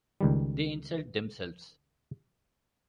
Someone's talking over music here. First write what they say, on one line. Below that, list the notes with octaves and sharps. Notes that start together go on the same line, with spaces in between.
They insult themselves.
C#2 D#3 G3